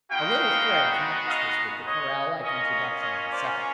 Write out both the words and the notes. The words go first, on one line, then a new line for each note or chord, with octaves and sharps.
A little thread connects this with the chorale-like introduction of the second theme.
G#3 B3 D#4 F#4 F5 G5
D#5 F5
C#5 D#5
A#3 C#4 F4 C#5 D#5
C#5 D#5
C5 D5